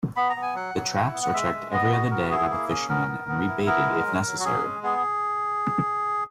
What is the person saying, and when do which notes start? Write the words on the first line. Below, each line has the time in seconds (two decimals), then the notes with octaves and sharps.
The traps are checked every other day by the fisherman and rebaited if necessary.
0.16 B3 B5
0.30 A#5
0.36 B3
0.42 G#5
0.55 F#3 F#5
0.75 F#3
0.94 E4
1.13 B3
1.23 F#5
1.33 G#3 E5
1.53 G#3
1.72 B3 D#5
1.92 F#4 D#5
2.11 B3 A#4
2.31 E4 G#4
2.50 A#3 G#4
2.69 C#4 G#4
2.89 B3 A#4
3.08 B3
3.28 B3
3.48 E4
3.67 B3 A#4
3.87 G#3
4.07 F#3
4.26 F#3
4.40 F#4
4.45 C#4 G#4
4.64 G#3
4.83 B3 G#4